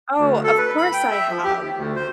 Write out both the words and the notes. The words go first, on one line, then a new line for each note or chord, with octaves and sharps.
Oh, of course, I have.
D2
A4
B4
B5
G5
E5
F3
G4
D#2
D2
C5